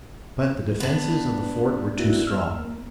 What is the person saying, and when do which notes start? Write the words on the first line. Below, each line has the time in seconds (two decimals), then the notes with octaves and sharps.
But the defenses of the fort were too strong.
0.80 B3 D4
1.98 A#3 E4 F#4
2.27 E6 F6
2.59 A#3